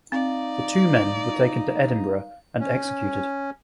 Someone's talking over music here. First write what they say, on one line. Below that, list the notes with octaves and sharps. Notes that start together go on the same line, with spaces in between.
The two men were taken to Edinburgh and executed.
C4 D#4 D5 F5
C#4